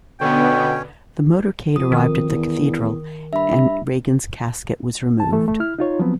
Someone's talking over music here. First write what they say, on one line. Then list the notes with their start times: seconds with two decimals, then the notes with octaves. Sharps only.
The motorcade arrived at the Cathedral and Reagan's casket was removed.
0.21 B2 D3 B3 C#4 C#5 G5
1.76 F2 D#6
1.92 D#3
2.29 E2
3.33 G2 E5 B5
5.20 A5
5.32 E3 A3 A4
5.48 A3
5.60 E4 F6
5.79 D#4 F4 C#5
5.99 F3 F#3 B3 C4